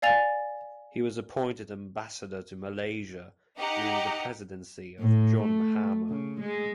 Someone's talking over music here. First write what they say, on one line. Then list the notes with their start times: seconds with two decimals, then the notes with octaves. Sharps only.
He was appointed Ambassador to Malaysia during the presidency of John Mahama.
0.02 D5 F5 G#5 A6 F7
3.58 D#4 G4 F#5
4.99 A2
5.40 A3
6.09 C#3
6.40 G#3